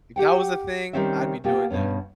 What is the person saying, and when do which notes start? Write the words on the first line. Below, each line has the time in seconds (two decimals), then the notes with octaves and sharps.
if that was a thing, I'd be doing that,
0.16 G4 F#5 G5
0.93 D#3 F3 G3 C4 C#4 E5
1.44 B2 A#3 F4 G4
1.70 G2 B2 B3 C#4